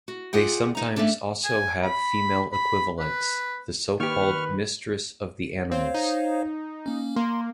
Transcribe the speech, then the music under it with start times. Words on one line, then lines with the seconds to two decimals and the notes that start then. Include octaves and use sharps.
They sometimes also have female equivalents, the so-called Mistress of the Animals.
0.08 F#4
0.33 F4 G4 G#4 F#5 G5
0.75 D#4 A#5
0.96 A3 A#3 C#4 D4 A4
1.45 G#5
1.83 B5
2.53 B5
2.99 B4
4.00 D#3 A#3 G4 B4 C#6 F6
5.72 C4 C5 C#5 F5
5.94 D#4
6.86 A#3 C#4
7.16 A#3 C6